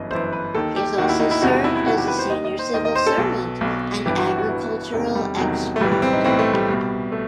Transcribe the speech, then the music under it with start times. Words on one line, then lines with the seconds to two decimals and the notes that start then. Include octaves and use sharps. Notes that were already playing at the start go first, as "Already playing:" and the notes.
He has also served as a senior civil servant and agricultural expert.
Already playing: G1 F#2 E3 D#5
0.11 G1 F#2 E3 C5
0.33 B4
0.55 D#2 D#3 A4
0.76 G4
0.98 D#2 D#3 F#4
1.09 E4
1.20 D#4
1.31 E4
1.42 E1 E2 C3 D#3 F#4
1.53 F#4
1.64 E4
1.75 E4
1.86 E1 E2 C3 D#3 F#4
1.97 G4
2.08 B4
2.19 C5
2.30 D#2 D#3 D#5
2.45 D#5
2.59 C5
2.73 D#2 D#3 D#5
2.85 D#5
2.95 C5
3.07 A4
3.17 B1 B2
3.61 B1 B2
4.06 G1 G2 E3 G4
4.16 F#4
4.27 F#4
4.38 F#4
4.49 G1 G2 E3
4.93 E1 E2 C3 D#3 A3
5.15 G3
5.37 E1 E2 C3 D#3 F#3
5.76 A3
5.81 B1 A2 E3 G3
5.92 G3
6.02 C4
6.13 D#4
6.24 B1 A2 E3 C4
6.39 A3
6.53 G3
6.68 C2 B2
7.12 A3